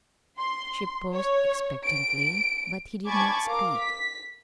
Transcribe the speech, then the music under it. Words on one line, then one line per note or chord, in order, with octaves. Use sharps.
She paused expectantly, but he did not speak.
C6
C#5
D7
G#5 A5 B5 C#6 D6 G#6
A#4 F5 D6
B6